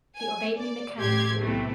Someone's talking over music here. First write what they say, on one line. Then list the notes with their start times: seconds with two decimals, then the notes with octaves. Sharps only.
He obeyed me mechanically.
0.15 G#5
0.56 D5
0.98 A1 G4 A4 C6 G#6
1.39 B1 C3 E3 A3